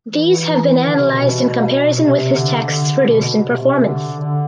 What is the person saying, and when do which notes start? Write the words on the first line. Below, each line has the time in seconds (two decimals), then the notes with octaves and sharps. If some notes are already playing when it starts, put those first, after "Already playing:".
These have been analyzed in comparison with his texts produced in performance.
0.10 E3
0.46 E3
0.84 D3
0.96 C3
1.09 B2
1.96 C3
2.33 D3
2.71 D3
3.07 B2
3.44 C3
3.82 D3
4.19 D3